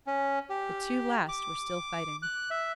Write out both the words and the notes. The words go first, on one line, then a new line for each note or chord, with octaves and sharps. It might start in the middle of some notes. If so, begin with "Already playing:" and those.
The two last were still fighting.
C#4
G4
D6
F#6
E5